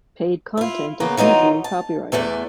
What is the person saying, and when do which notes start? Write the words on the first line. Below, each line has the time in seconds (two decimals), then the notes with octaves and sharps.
Paid content is usually copyrighted.
0.57 E4 F4
1.00 C#3 A#3 B3
1.17 E3 F#3 D#4 F4
1.64 A5
2.12 E2 E3 A3 D5